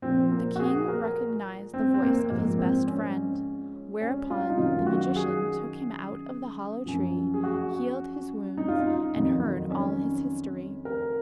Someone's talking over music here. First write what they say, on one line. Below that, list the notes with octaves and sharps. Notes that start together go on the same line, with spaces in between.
The king recognised the voice of his best friend: whereupon the magician took him out of the hollow tree, healed his wounds, and heard all his history.
A#2 F3 C4
A#3
F#4
G#4
A#4
C4
C4
A#3
G#2 F3 A#3
C4
C#4
C#4
F4
D#4
F#2 D#3 F#3 F4
F#4
G#4
F#2 F3
G#4
F#4
D#4
F4
D#4
F2 D#3 F#3
C#4
A#4